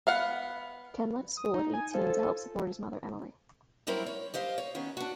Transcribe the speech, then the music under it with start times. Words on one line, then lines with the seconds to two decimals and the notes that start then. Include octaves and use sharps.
Ken left school at eighteen to help support his mother Emily.
0.07 B3 F5 F#5
1.37 D#6
1.54 D#4
1.74 G#5
1.94 F3 A4
3.87 F#3 G3 C4 E4 A#4 C#5
4.06 C#5
4.34 G4 C5 D#5 F5
4.58 C#5
4.75 D#3 B3 C#4
4.97 D4 F#4